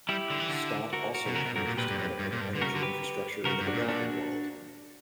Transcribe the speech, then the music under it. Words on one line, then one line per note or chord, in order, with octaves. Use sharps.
Stott also encourages development of energy infrastructure in the developing world.
G3 E4 G4
D3
E3
D3
F#4 A#4
F#4 A#4
B2
C#3 F#4 A#4
B2
G2 F#4 A#4
A#2
A#2 G4 B4
G2
F#2
G2
A#2
G2
D3
C#3 F#4 A#4
D3
G4 B4
C#3 F#4 A#4
G2
D4 F#4
A#2
D4 F#4